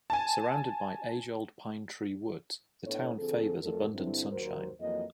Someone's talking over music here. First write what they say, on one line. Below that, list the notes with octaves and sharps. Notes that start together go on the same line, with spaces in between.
Surrounded by age-old pine tree woods, the town favors abundant sunshine.
G#5 A5
A2 B3 D4 E4 A4 C#5
D3 F3 C4 G#4 A4
F2 F#3 A3 A4 A#4
G2 D3 C4 E4
D#2 F#3 A#4 C5
F2 E3 F#3 A#3 D#5